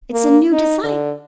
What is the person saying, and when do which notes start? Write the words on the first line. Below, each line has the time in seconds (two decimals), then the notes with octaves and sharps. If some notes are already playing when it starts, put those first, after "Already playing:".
It's a new desire.
0.13 A#3
0.52 D#4
0.84 D3